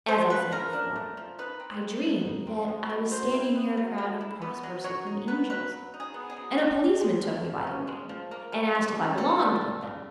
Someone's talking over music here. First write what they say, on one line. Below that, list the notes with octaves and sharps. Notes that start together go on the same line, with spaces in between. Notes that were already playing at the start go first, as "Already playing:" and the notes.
As I said before, I dreamed that I was standing near a crowd of prosperous-looking angels, and a policeman took me by the wing and asked if I belonged with them.
A3 C5
F3 B4
F3 A#4
D4
A3
F3
D#4 B4
C4
G#3
B2
D#4
C4
G#3
B2
F#3 C5
E4
B3
F#3
F#3
E4
B3
F#3
F#3 C#5
D#4
B3 B4
F#3 B4
F#3
D#4
G#4
B3
G#4
F#3
F3 G4
C#4
G#3
F3
F3
C#4
G#3
F3
A#3
G3
E3
C#3
A#3 A4
G3
E3
C#3